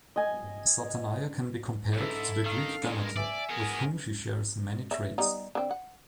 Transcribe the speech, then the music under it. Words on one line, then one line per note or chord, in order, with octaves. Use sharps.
Satanaya can be compared to the Greek Demeter, with whom she shares many traits.
D#5 G#5
F2 G#2 E4 A4
D#3 F5
G2 G#3
A#4
D5 E5 G#5
B3 G#4 A#4
A4 C#5 E5
G3 B3 D#4
D3 C4
F#5